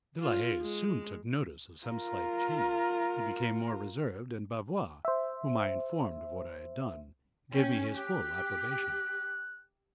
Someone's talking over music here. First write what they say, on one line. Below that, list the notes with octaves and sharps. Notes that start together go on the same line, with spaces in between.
De la Haye soon took notice of some slight change; he became more reserved, and Bavois, whom I informed of what I had done, gave me his full approbation.
F4
G#3
F4 A#4
C5 E5
C#4 G5
G4 F#6